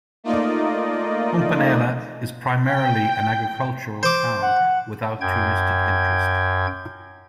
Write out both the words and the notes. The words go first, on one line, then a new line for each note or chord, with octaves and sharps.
Mponela is primarily an agricultural town without touristic interest.
A3 A#3 D#4 F4 D5 D#5
G5
C5 D6
F#5
F#2 G5 G#6